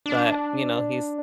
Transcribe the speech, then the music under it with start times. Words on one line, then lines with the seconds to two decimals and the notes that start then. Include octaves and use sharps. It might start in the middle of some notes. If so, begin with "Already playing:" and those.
But you know, he's
0.06 D4